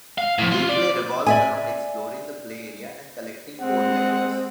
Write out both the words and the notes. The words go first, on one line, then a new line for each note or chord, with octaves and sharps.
Gameplay revolves around exploring the play-area and collecting code-letters.
F5
A2 F3
F4
D5
D5 E5 G#5
G#3 C4 F#5